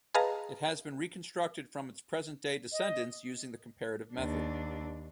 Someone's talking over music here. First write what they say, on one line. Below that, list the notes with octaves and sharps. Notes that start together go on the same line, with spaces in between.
It has been reconstructed from its present-day descendants using the comparative method.
G#4 B4 D#5 F5 A5 A#5
D#5
D#2 D4